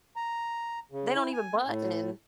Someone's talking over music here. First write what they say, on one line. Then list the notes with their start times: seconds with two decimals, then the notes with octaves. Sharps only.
they don't even button."
0.16 A#5
0.92 C#3
1.15 E4
1.33 G#5
1.67 A2